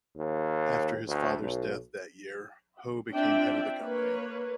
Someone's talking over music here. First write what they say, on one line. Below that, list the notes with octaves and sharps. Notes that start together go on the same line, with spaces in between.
After his father's death that year, Hoe became head of the company.
D#2
D2
B1
C4 D4 F4 D5 E5 G5
A#3 B4 C#5